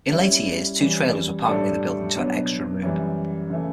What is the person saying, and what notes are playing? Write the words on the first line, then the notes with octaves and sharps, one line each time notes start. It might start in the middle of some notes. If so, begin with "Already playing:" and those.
In later years, two trailers were parked near the building to add extra room.
G3 C#4 E4
E3 G3 C#4
A2 G3 D4 A4 D5
B2 F#3 B3 D4
F#2 E3 G3
C#3 E3 A3